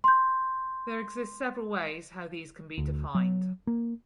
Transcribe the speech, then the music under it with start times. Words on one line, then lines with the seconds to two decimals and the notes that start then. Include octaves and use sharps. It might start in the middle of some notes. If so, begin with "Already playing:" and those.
There exists several ways how these can be defined.
0.04 C6 G6
2.78 D2
3.15 F#3
3.67 A#3